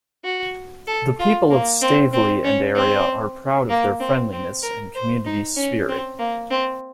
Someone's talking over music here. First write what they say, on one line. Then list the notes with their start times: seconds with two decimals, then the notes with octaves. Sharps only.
The people of Stavely and area are proud of their friendliness and community spirit.
0.24 F#4
0.87 A4
1.19 F4
1.51 A#3
1.82 C4
2.13 C4
2.44 C#4
2.75 C4
3.70 A#3
4.00 C4
4.32 C4
4.63 A#4
4.95 C5
5.26 D#4
5.56 C#4
5.89 C4
6.19 A#3
6.50 C4